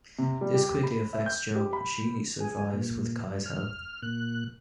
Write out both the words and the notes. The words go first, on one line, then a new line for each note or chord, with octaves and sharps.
This quickly affects Jo, but she survives with Ky's help.
C3
G3
G4
B5
E5
G6
G4
B5
G#4
A#2
F6
A#2 F#6